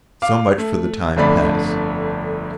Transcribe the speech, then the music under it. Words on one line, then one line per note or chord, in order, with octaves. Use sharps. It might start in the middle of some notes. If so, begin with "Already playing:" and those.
So much for the time past.
F5 D6
A3
G1 F2 D3 A3 D5 B5